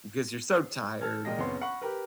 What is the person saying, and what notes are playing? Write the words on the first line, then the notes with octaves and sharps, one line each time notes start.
because you're so tired.
A4 A5 F6 G#6
A#2 G#3 D#5 G5 A#6
F#1 B3 C4 C#5 C6
F#5 B5 C#6
G4 A#4 B4